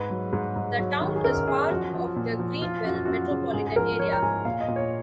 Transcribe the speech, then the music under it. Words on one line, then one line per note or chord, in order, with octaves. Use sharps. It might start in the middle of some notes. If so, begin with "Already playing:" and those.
The town is part of the Greenville Metropolitan Area.
Already playing: G#2 B4
F#3
G#2
G#2
F#3
D#3
G#4
F#2 A#4
F#2 G#4
F3 F#4
F3
A#2
F3
F3 F4
F#2 F#4
F4
F#2 F#4
C#3
G#2 G#4
G#4
F3 A#4
F3 C#5
A#5
G#2 G#5
A#2 F5
D#5
A#2
C#5